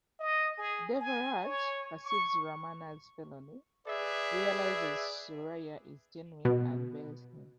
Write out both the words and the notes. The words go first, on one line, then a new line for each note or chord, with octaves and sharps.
Devaraj perceives Ramana's felony, realises Surya is genuine and bails him.
D#5
G#4
G#5
C#5
C#6
G#4 B4 D5 E5
B2